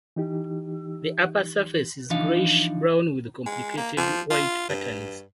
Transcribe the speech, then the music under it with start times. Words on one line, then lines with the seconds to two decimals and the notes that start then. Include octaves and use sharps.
The upper surface is grayish brown with complicated white patterns.
0.16 E3 D#4 G4
2.10 E3 F3 D4 D#4 F5
3.46 G#3
3.77 A#3
3.97 F3
4.30 F4
4.69 G2